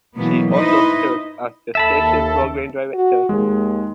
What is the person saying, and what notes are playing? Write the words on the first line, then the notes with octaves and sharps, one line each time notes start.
She also served as the station's program director.
B2 E3 F#3 A#3 B3
D#4 E4 B4 C5 D#5
D#2 A4 E5 A5 B5
F#4
D#2 G#3